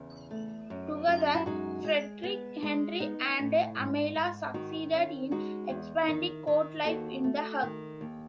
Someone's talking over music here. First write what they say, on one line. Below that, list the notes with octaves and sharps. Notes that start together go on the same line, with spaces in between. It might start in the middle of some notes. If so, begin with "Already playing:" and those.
Together Frederick Henry and Amalia succeeded in expanding court life in The Hague.
Already playing: E2 C#3
A3
F#2
F#2
E4
G#3 D#4 F#4
G#3
B3
G#3
B3 D#4
A2
G#2
G#2
D#3 D#4 F#4
C#4
G#3 D#4 F#4
E2
D#3
D#3
D#2 F#4 A4
A3
D#3
D#2